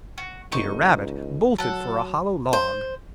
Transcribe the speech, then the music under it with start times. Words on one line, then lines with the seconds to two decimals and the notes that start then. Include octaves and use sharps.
Peter Rabbit bolted for a hollow log.
0.18 F#4
0.52 F#1 D#4 C#6
0.95 C#2
1.58 F#3 A4 F#5
2.53 C5